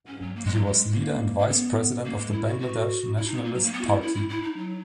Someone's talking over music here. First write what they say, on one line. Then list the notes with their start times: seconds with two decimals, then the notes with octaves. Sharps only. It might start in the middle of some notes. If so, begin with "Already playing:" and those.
He was leader and Vice President of the Bangladesh Nationalist Party.
0.07 C#4
0.21 F#3
0.36 A#3
0.45 G#3
0.55 F#3
0.65 G#3
0.92 A#3
1.39 A#3
1.49 B3
2.05 A#3
2.18 G#3
2.32 E4
2.46 F#4
2.61 F#4
3.17 E4
3.26 D#4
3.36 B3
3.44 A#3
3.54 F#3
3.63 A#3
3.72 B3
3.81 F#4
3.86 E4
4.01 E4
4.15 E4
4.29 E4
4.43 D#4
4.57 F#3